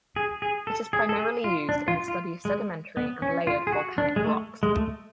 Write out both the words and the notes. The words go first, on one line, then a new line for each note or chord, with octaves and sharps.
It is primarily used in the study of sedimentary and layered volcanic rocks.
G#4
G#4
A4
G#4
A4
G#4
F4
D4
F4
F4
G#3
B3
C#4
F4
G#4
F#4
D4
G#3
A3
G#3
A3